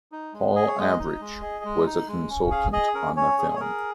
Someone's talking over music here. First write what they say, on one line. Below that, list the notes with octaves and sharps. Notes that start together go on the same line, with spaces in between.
Paul Avrich was a consultant on the film.
D#4
G#3
G#4 D#5
C#5
G#3 D#5
D#4
G#3
G#4
G#3
D#4
G#3
C#4
G#4 F5
G#4 D#5
C#4 A#4
C#4 C#5
G#4
C#5
G#4 A#4